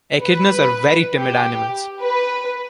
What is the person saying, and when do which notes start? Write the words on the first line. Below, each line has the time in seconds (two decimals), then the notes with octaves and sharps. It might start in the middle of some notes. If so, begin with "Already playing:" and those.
Echidnas are very timid animals.
0.24 B4
1.18 G4
2.03 B4